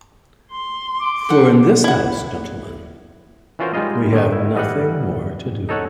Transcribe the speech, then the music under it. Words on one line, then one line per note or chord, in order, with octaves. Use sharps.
For in this house, gentlemen, we have nothing more to do.
C6
D6
A4 C5 F#5
E4 F#5
E3 C#4 F4 F#4 A#4 C5
G3 G#3 D#4 F4 D#5
D3 D#3
E4
E3 G3 D#5 F5 F#5
D#4 A4 C#5 F#5